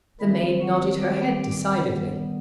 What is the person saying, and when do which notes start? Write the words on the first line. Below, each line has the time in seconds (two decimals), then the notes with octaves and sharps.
The maid nodded her head decidedly.
0.20 D#3 G3 C4 E4 E5
0.61 F#4 F#5
1.02 G4 G5
1.84 D#3 G3 B3